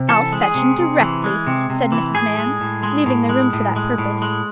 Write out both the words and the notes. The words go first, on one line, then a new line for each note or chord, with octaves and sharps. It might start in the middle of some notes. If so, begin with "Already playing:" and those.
'I'll fetch him directly,' said Mrs. Mann, leaving the room for that purpose.
Already playing: C3
E3 A4
G#3
G#4
C3
C3
E3
G#3
C3
C3
E3
A2 G#4
G#3
A2
G#3
A2
G#3
A2
G#3
A2
G#3